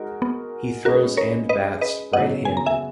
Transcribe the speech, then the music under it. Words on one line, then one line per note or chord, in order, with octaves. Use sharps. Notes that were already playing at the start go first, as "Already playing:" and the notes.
He throws and bats right-handed.
Already playing: G#3 D#4 F#4 A#4
B3
G#3 C#4 F#4 G#4 A#4 B4 D#5
A#4 C#5
B4 D#5
B4 D#5
C#3 F#3 B3 D#5 F#5
G#5
A#5
E5 G#5